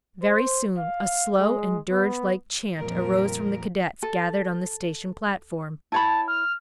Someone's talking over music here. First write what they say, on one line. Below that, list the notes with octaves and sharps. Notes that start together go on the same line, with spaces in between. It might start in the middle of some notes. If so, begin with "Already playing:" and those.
Very soon a slow and dirge-like chant arose from the cadets gathered on the station platform.
C5
F5
G#3
B3
F2 A#2 F3 G3 A#4
A4
E4 C#5 A5 B5
F6